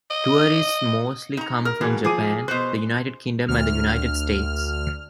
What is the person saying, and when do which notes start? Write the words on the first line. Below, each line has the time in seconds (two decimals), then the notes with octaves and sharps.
Tourists mostly come from Japan, the United Kingdom and the United States.
0.11 D#5
1.37 D#4 A#5
1.65 A#4 F6
1.81 B2 E3 A#3 G#4
2.04 F3 G#4 D6 D#7
2.48 B2 C5 F#6 C7
3.48 D2 F6